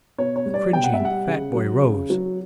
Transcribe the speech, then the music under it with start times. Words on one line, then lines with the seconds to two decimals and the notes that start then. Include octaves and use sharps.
The cringing fat boy rose.
0.18 B2 C#5
0.36 C#5
0.46 G3
0.54 D5
0.73 B2 G5
0.84 F#5
0.94 E5
1.00 G3 F#5
1.27 C#3
1.54 F#3
1.82 C#3
2.10 F#3